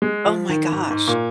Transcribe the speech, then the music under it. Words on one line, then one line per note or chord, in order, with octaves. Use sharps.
Oh my gosh.
G#3
F3
D#3
G#2
G#2
A#2